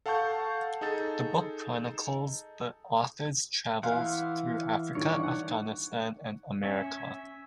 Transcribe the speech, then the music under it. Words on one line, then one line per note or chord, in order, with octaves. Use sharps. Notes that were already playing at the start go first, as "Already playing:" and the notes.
The book chronicles the author's travels through Africa, Afghanistan, and America.
A4 F5 F#5 A5 C#6 G6
D#4 G#4 A4 A6
E3 E4 F5 F#5 C6
G2 D#3 E3 C#5 D5
F#5
C#4 E5